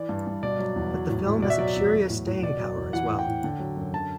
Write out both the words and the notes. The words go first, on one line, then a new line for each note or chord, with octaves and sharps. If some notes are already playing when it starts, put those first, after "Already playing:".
But the film has a curious staying power as well.
Already playing: E3 D5
G2
G2
B2 D5
F#3
E2
F#3
A2
A2
B2 D5
E5
F#3 D5
E2
F#3
A2
A2
B2 D5
F#3
E2
E3 F#5
A2
G5
A2
D3
F#3
F#2
D3 A5